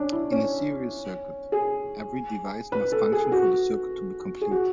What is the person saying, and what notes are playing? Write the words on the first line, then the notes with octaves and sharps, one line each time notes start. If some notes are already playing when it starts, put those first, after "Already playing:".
In a series circuit, every device must function for the circuit to be complete.
Already playing: C#4 D4
E4
C#4
G#4
B4
A4
G#4
F#4
G#4
F#4